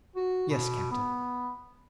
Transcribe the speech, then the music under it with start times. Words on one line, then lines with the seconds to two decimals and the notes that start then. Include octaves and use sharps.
"Yes, captain."
0.16 F#4
0.50 B2
0.91 B3